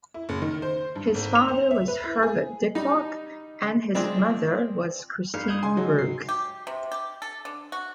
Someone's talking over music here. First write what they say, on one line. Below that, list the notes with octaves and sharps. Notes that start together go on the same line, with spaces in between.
His father was Herbert Diplock and his mother was Christine Brooke.
E4
F#1
D#3
C5
G2
G#1
F7
C5
E5
B4
E4
G#4
G3 D#4
F3 G#3 C4 D4
G1 F6 C7
D#6 G6 G#6
C#3 G#3 G#5 C6
F#3
G#2 C7
G4
C3
G4
A4
D3
F#4